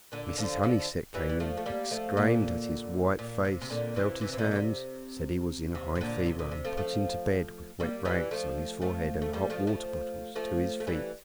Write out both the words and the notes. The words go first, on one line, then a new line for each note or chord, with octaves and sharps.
Mrs. Honeysett came in, exclaimed at his white face, felt his hands, said he was in a high fever, and put him to bed with wet rags on his forehead and hot-water bottles to his feet.
A#2 D3
D3 F3
D3 F3
E3 G3
G3
F3 A3
A3
G3 A#3
F3 A3
A#2 D3
A#2
C3
C3
A#2 D3
C3 E3
C3 E3
E3
A#2 D3
D3
C3
C3
C3
A#2 D3
C3
A#2 D3
C3
F3 A3
F3 A3
G3 A#3
E3 G3
F3 A3
F3 A3
A3
G3 A#3
F3 A3
F3 A3
F3 A3
A3
E3 G3